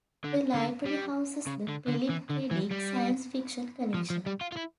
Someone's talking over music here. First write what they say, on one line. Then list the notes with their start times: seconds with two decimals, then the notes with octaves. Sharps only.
The library houses the Philip K. Dick science fiction collection.
0.24 D3
0.55 D3
0.86 G3
1.47 C#3
1.69 D3
1.88 D3
2.10 E3
2.30 D3
2.51 E3
2.71 G3
3.94 F3
4.10 F3
4.26 G3
4.41 F4
4.52 F4
4.57 E4